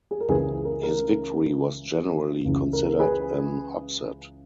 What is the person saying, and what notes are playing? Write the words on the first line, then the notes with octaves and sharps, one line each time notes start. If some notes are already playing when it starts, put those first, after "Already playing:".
His victory was generally considered an upset.
G#4
A#4
C#2 C#3 E3 G#4 B4
A#4
A#4
C#2 C#3 E3
A#4
A#4
G#4 B4